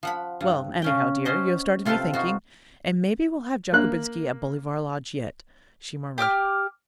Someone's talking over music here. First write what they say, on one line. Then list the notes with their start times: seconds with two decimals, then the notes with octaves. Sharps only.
"Well, anyhow, dear, you have started me thinking, and maybe we'll have Jockobinski at Bolivar Lodge yet," she murmured.
0.03 F3 F#5 B5
0.41 G2
0.82 C#3 C#4 G5
1.25 C#4 C5 D#5 F#5
1.85 C3 F4 A4 B4 G5 A5
2.13 D#4 F4 F#4
3.73 A#3 F#6
6.18 G4 D6 D#6 F6